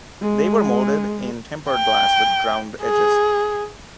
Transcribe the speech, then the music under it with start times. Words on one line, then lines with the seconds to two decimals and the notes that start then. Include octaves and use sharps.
They were molded in tempered glass with ground edges.
0.22 G#3
1.71 G5
2.83 G#4